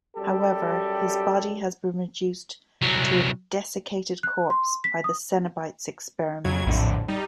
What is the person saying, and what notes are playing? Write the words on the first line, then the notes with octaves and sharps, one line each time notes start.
However, his body has been reduced to a desiccated corpse by the Cenobites' experiments.
F#2 G3 G4 A4
C2 F#3
F#6
C6
B6
D#6
F2 C#3 F#3 G#6
A#1 F2 A2 D3
G3 D#4